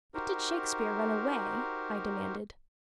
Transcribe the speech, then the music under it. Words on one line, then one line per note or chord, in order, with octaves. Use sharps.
"But did Shakespeare run away?" I demanded.
D#4 F#4 G4 A#4 C5